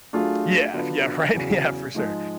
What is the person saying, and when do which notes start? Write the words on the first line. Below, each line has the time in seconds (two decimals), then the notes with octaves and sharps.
Yeah, yeah, right, yeah, for sure,
0.13 F#3 A3 D4 F4 G#4
0.74 D3 F#3 B3 D4 F4
1.34 E2 C#3 F#3
1.95 G#2 F3 G#3